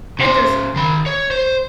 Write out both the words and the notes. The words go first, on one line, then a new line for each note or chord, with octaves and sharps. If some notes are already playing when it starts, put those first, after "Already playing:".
And there's I
C#3 C5
D#3 B5
C#5
C5